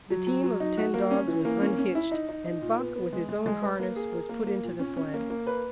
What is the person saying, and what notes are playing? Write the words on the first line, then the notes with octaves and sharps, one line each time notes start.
The team of ten dogs was unhitched, and Buck, with his own harness, was put into the sled.
F#3
F#3
F#3
D#4
F#4
A#3
C#4
E3
A#3
C#4
C#4
E4
D#4
D#4
D#4
A#2
B3
B3
G#3
G#3
G#3
B4
A#3
G#4
A#4
A#3
A#3
A#2
C#4
C#4
A#3
A#3
B4